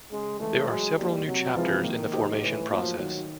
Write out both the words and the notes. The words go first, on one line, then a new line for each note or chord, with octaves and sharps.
There are several new chapters in the formation process.
C#3 G#3
E3 G#3 A3
F#3 G#3
G3 A#3 D#4
C3 F#3
E3 F3 G#3 C4 F4
D#3 A#3
D#4 G4 C5
A2 E3
F3 F#3 A#3
D#3 F#3